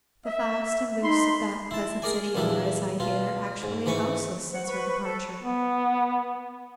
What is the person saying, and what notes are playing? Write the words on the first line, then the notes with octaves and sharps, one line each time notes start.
The fast and loose of that pleasant city are, as I hear, actually houseless since her departure.
E5
D#4 B5 C6
E4 A5
G#4 A#4 D5 G#5
E2 A#2 D4 E4 G4
B2 F4
G#2
G#2 E3 B4 G#5 C#6
C5 F#5
B4 C#6
A4
B3